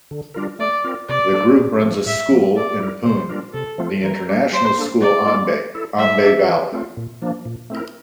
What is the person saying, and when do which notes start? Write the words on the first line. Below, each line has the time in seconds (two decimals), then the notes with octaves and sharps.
The group runs a school in Pune, the International School Aamby - Aamby Valley.
0.11 D3
0.34 G3 D4 F4 A#4
0.59 A3 D5
0.84 C4 F4 A#4
1.08 C3 D5
1.32 G3 D4 A4
1.58 A#2
1.82 F3 A3 C4
2.06 A2 E5
2.31 F3 A#3
2.56 A3 D5
2.80 E4 A#4
3.04 C3 C5
3.29 G3 D4 F4 A#4
3.53 C3 A4
3.78 F3 A3 C4 F4
4.03 E3 A#4
4.27 G3 D4 G4
4.52 G3 C5
4.76 A#3 D4 A4
5.01 G3 D5
5.25 A#3 F4 A4
5.49 A3
5.75 E4 A4
5.98 G3 E5
6.23 D4 G4
6.48 E3
6.72 A3 C4 F4
6.97 A#2
7.22 F3 A#3 D4
7.45 A#2
7.70 A3 C4 E4 A#4